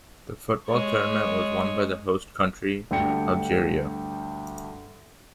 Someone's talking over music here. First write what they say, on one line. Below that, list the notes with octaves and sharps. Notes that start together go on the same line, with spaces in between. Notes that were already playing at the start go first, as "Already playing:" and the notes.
The football tournament was won by the host country Algeria.
G#3 C#5
D2 G2 G5 C#7